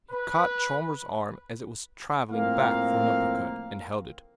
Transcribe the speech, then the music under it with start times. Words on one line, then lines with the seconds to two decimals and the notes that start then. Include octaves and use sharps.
He caught Chalmers' arm as it was traveling back for an uppercut, and held it.
0.10 B4
2.31 A2 F3 A#3 C4 A#4 F5